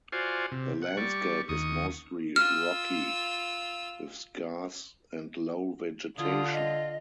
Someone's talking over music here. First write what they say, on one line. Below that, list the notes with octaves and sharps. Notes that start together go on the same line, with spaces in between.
The landscape is mostly rocky, with scarce and low vegetation.
F4 F#4 C5 D5 G#5
C3
F#5
G3 D5 C#6
D#2 C#6 D#6
F4 E6 F6
D3 F4 D#6
D#5